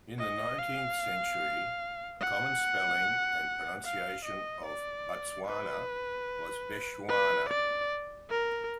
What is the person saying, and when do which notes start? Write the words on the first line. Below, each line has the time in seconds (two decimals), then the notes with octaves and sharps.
In the nineteenth century, a common spelling and pronunciation of "Batswana" was Bechuana.
0.19 D#5
0.59 F5
2.21 F#5
3.85 F5
4.25 D#5
4.65 D5
5.47 B4
7.09 B4
7.49 D5
8.30 A#4